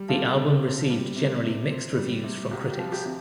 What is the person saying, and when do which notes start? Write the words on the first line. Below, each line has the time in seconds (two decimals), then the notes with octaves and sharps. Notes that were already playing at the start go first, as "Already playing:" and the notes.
The album received generally mixed reviews from critics.
Already playing: G3
0.08 C3 F4 A4
0.36 C3
0.63 C4
0.90 G3
1.16 C3
1.44 C3
1.70 C4
1.97 G3
2.24 C3
2.51 C2 G4
2.71 G4
2.79 F3
2.92 G4
3.05 C3